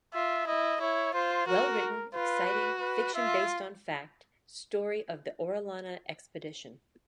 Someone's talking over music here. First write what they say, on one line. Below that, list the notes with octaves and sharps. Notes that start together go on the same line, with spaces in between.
Well-written, exciting, fiction-based-on-fact, story of the Orellana expedition.
F4 E5
E4 D#5
E4 C#5
F4 C5
F#4 A#4
F4 B4
F#4
B4
F4 E5